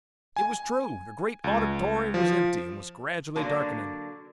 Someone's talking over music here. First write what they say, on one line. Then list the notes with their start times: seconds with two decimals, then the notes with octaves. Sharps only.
It was true, the great auditorium was empty, and was gradually darkening.
0.36 G#5
1.44 C#2
2.14 F3
3.36 D3 F#3 A#3 D4